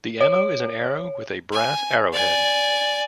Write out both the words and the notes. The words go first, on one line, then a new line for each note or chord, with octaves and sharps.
The ammo is an arrow with a brass arrowhead.
C#5
G#5
D5 G#5